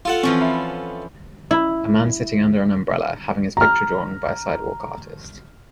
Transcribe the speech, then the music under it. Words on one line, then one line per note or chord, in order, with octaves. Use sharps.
A man sitting under an umbrella, having his picture drawn by a sidewalk artist.
F4 A4 F#5
E3 F3 C4 C#4
E5 B5
E4
A#5 F6